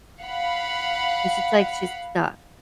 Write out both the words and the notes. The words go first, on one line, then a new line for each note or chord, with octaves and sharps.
It's just like she's stuck.
F5 F#5 B5